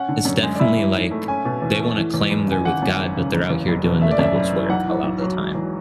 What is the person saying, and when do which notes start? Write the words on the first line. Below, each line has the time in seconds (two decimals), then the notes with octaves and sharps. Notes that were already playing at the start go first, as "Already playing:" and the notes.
It's definitely, like, they want to claim they're with God, but they're out here doing the devil's work a lot of the time,
Already playing: C#4 F#5
0.09 D3
0.25 F#2
0.43 G#3
0.55 D5
0.59 E4 E5
0.77 E3
0.94 G#2
1.11 A3
1.28 C#4 G#5
1.45 B2
1.62 E2
1.80 A3
1.96 E3
2.14 E2
2.30 F#1
2.48 C#3 G#5
2.65 G#1 F#5
2.82 F#2
2.99 G#1
3.17 C#3
3.33 F#1
3.50 E2
3.68 F#1
3.84 B2
4.01 A3 E5
4.11 D5
4.19 F#2 E5
4.35 F#1
4.52 E3
4.70 B1 F#5
4.87 A2
5.04 B1
5.22 F#3
5.39 E1
5.55 E2